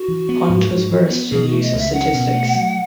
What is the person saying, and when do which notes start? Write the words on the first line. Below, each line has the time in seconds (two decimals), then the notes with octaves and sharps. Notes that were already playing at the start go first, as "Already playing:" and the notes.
Hunt was versed in the use of statistics.
Already playing: F#4
0.08 E3
0.29 B3
0.49 G#2
0.70 G#2
0.91 E3
1.10 B3
1.31 B2 G#4
1.47 A3 F#4
1.62 D#5
1.73 C#2
1.78 E5
1.93 C#4 F#5
2.14 B2
2.34 A3
2.55 F#3